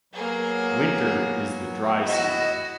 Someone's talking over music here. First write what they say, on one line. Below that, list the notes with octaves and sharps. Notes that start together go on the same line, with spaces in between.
Winter is the dry season.
F#3 A#3 B3 G#4
E4 F#4 D#5